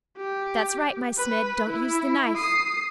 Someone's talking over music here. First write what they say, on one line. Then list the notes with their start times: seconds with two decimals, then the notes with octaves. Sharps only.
That's right, my Smid, don't use the knife!
0.17 G4
1.18 B4
1.70 E4
2.36 D#6 C7